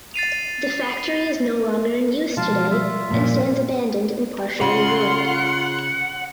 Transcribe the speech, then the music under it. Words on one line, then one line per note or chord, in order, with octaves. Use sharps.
The factory is no longer in use today and stands abandoned and partially ruined.
A6 C7 D#7 F7
B2 F3 G#3 F4 F5 A5
G3 F4 E5
F#2 A#2 F3
C#3 F4 F#5 C6